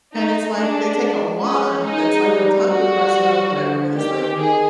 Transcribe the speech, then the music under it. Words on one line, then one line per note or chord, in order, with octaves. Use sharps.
And it's, like, take a wand that's, like, a tongue depressor or whatever, and it's, like,
A3 D#4
A3 D4
G#3
G#3 C#4
G#3 D#4
G3
G3 F#4
D3
D#3 G4
D#3 G#4